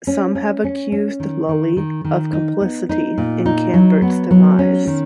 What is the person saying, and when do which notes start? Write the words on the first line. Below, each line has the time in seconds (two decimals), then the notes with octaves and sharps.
Some have accused Lully of complicity in Cambert's demise.
0.07 C#4
0.35 C#4
0.64 C#4
0.92 C#4
1.20 D#3
1.49 D#3
1.77 D#3
2.05 D#3
2.33 D#4
2.61 B3
2.89 D#4
3.18 A#2
3.46 D#4
3.74 F#3
4.02 B3
4.31 F#3
4.59 C#4
4.87 D#3